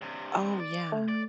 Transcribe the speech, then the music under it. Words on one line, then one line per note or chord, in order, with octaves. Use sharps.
Oh, yeah.
G2 C3
D5
A3
D5